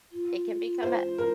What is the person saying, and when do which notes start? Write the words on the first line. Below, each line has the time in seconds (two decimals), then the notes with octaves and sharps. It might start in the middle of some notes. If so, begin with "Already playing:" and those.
it can become a
0.12 F4
0.82 C5
1.18 A#4